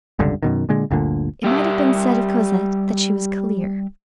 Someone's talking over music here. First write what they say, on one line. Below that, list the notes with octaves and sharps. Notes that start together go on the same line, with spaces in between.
It might have been said of Cosette that she was clear.
F1 C#2 G2 D3
F#2 B2 D#3
A#2 D3 G#3
G1 D2 A#2 D3
G3 G4 E5